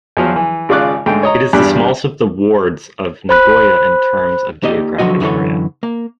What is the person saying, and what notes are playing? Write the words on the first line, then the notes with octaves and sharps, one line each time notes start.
It is the smallest of the wards of Nagoya in terms of geographic area.
E2 F3 F#3
E3
G#1 C#3 F4 D5 D6 F#6
G#2 D3 A3 G5
C#5 D#5 A#5
E2 G2 D4 G4 B5 F#6
C5 B5 F#6
A#3 D#4 G4 D5 D#5
D3 F3 F#3 F#4 D#5
F#2 D3 E3 A4 C#5
A#3